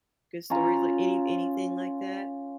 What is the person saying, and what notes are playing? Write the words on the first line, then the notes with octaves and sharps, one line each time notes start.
good stories, like any anything like that?
C#4 F4 A#5